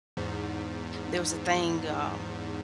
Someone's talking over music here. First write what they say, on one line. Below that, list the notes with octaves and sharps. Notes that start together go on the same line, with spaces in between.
there was a thing, um,
E2 G#2